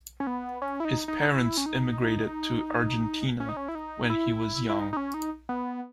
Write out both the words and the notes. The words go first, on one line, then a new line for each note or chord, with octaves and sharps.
His parents immigrated to Argentina when he was young.
C#4
B3
C#4
E4
D#4
D#4
E4
C#4
D#4
C#4
D#4
C#4
E4
D#4
E4
E4
D#4
D#4
C#4
D#4
B3